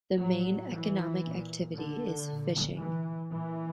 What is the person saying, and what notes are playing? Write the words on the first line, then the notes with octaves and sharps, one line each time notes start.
The main economic activity is fishing.
A2 F#3
E3
A#2
D3
A#2
E3
A#2 E3